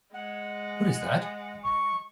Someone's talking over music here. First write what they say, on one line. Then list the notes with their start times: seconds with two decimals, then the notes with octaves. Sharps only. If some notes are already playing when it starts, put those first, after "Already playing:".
What is that?
0.14 G#3 F#5
1.63 C#6